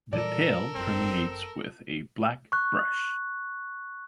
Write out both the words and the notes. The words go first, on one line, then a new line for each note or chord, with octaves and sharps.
The tail terminates with a black brush.
A#2 E3 G3 A4 A#4 D5
G1 F#2 C4
C#6 F#6